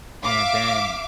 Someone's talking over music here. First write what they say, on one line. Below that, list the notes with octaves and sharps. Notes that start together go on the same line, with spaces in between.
And then
E5 F5 D6